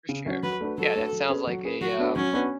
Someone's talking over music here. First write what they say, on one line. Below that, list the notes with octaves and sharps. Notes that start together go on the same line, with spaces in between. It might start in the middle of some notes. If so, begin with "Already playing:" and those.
For sure. Yeah, that sounds like a, um,
C#3
F#3 C#4
F#3 B4
A3 D4 F#4 B4
F#3 A4
A3 D4 F#4 B4
F#3
C#4 G#4 B4
F#3
C#4 G#4 B4
F#3 F#4
B3 D4 F#4 B4
F#3 C#4
B3 D4 F#4 B4